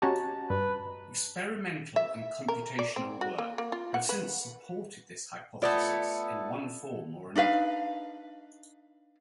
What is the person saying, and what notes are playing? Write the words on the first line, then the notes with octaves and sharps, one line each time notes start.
Experimental and computational work have since supported this hypothesis in one form or another.
C#4 F#4 G4 D#5 A5 A#5
G2 B4
E5
A#4
D5
C4
F#4
A#3
A#3
F4
F#5
B4
A3 B3 E4 F4 D5
D4 D#4 B4 F5